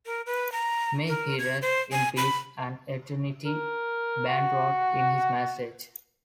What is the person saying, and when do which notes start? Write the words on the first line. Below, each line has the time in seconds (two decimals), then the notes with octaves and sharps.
May he rest in peace and eternity, Ban wrote in his message.
0.06 A#4
0.26 B4
0.52 A#5
1.08 A#4
1.39 G#6
1.62 C5
1.92 G#5
2.17 B5
3.46 A#4
4.28 F#4